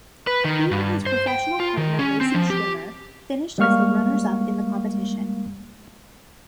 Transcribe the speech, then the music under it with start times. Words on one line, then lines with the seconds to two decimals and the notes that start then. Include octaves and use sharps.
He and his professional partner Lacey Schwimmer finished as the runners-up in the competition.
0.27 B4
0.45 D#3
0.71 G2
1.06 C5
1.27 G5
1.60 F4
1.77 D#3
1.99 C#4
2.21 C4
2.34 F3
2.50 G4
3.58 G3 G#3 A#3 F5 C#6 F6